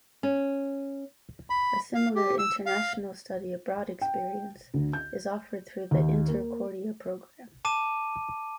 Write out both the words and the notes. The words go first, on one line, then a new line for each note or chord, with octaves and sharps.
A similar international study abroad experience is offered through the Intercordia program.
C#4
B5
F5
G4
E6
F5
G5
D2
G6
D#2
A#3
A5 D6 D#7